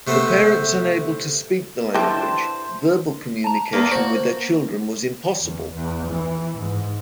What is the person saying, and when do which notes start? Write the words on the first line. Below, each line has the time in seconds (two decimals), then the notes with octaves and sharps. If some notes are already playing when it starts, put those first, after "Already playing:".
For parents unable to speak the language, verbal communication with their children was impossible.
0.07 C3 A3 B3 C4
1.94 D3 E3 G4 C5 A5
3.44 A5 A#5
3.73 E2 A#3
3.92 A#3 F#4 C5
5.41 E2
5.73 E2
6.11 E3
6.58 G#2